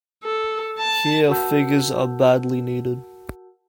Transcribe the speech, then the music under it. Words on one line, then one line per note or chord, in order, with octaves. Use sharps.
Here, figures are badly needed.
A4
A5
F#4 A#4 F#5 A5 E6 G6